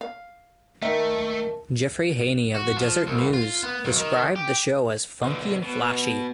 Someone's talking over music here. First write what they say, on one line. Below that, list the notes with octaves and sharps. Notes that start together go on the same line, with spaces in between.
Jeffrey Haney of the "Deseret News" described the show as "funky and flashy".
F5
D#3 A3 A#3 A#4 E5 A5
F#4
F3
C2
F4
B3
B1
D#3
G4
B1 D3
B2